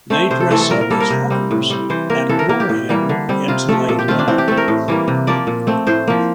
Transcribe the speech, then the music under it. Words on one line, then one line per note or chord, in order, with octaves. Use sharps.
They dress up as hookers and lure him into a limo.
A3 C4 C5
C3 C5
A4
E3 A3 C4 A4
A4
A#2 A#4
A#4
G3 A#3 A4
A#4
C3
G3 C4
A2
G3 C4
E3 C5
A#3 A#4
E3 A4
A#4
A#3 A#4
G4
A2
E3 G3 A#3
D3
G3 C4
C3 F4
F3 A3 A4
A#2 A4
G4
A3 C4 F4
D4
E3 C4
G4
A3 C4 A4
A#4
A2
E3 G3 A#3
C3
F3 A#3 D5
A#2
A3 C4
A2 C5
F3 A#3